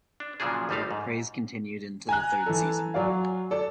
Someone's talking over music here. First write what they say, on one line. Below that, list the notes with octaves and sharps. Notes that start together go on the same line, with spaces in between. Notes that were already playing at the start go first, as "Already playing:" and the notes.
Praise continued into the third season.
D4
A#2 C#3 F3 F#3 D4 G#4
G#1 F3 G3 A3 D#4 F5
G#2
G#5 A#5 F#6
E3 A4
F#3 D5 F5
A4 D5